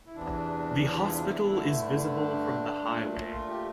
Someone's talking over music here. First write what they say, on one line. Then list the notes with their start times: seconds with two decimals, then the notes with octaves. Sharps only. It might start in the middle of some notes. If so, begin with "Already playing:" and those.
The hospital is visible from the highway.
0.06 E4
0.16 E2 C3 E3 D4
0.82 D4
0.93 G4
1.01 F4
1.08 E4
1.15 D4
1.27 E4
1.38 D4
1.49 G2 D3 A3 E4
1.66 E4
1.82 D4
1.90 E4
1.97 D4
2.82 A#2 A3
3.32 F4
3.49 G4